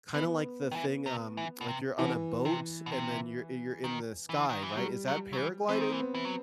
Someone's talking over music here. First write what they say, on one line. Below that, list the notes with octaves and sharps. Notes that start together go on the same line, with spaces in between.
kinda, like, the thing, um like, you're on a boat, and then you're you're in the sky, right? Is that paragliding?
E3 B3
D#3
E3
C3
E3
B2
C3
B2 E3
C3
B2
C3
D#3
E3
D#3
E3
F#3 G3
F#3
F#3
E3
E3 C4
D#3
E3
B3
E3
F#3